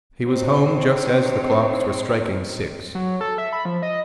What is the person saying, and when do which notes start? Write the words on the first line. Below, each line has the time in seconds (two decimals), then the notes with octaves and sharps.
He was home just as the clocks were striking six.
0.24 C4 D4 D#4 C#5
2.95 F#3
3.21 A4
3.38 E5
3.53 B5
3.65 F3
3.82 D#5